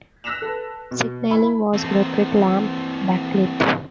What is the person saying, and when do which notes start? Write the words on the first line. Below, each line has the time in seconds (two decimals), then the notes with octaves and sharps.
Signalling was electric lamp backlit.
0.24 E6 F#6 A#6 B6 E7 F7
0.42 A4 B4
0.91 B2
1.30 E4 B5
1.73 E3 C4